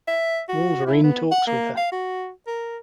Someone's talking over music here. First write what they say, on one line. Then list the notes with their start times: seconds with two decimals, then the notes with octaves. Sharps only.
Wolverine talks with her.
0.07 E5
0.49 F#4
0.87 E4
1.03 B3
1.31 F#5
1.47 A#3
1.77 F5
1.92 F#4
2.47 A#4